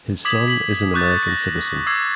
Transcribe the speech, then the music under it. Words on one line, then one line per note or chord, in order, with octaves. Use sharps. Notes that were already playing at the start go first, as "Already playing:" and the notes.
His son is an American citizen.
D6 D#6 G#6 B6 F#7
B6 F#7
C#6 D6 F#6 G6 A6
A#6
D6 E6 G#6 C7